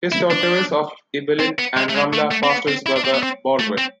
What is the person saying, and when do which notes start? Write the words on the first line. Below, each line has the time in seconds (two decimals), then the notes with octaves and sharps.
His territories of Ibelin and Ramla passed to his brother Baldwin.
0.12 E4
0.31 D4
1.40 C4
1.59 B3
1.77 G#3
1.89 A3
1.95 G#3
2.13 A3
2.31 A3
2.43 C4
2.50 B3
2.68 C4
2.86 E4
2.96 D4
3.04 C4
3.14 B3
3.23 C4
3.59 A3
3.78 C4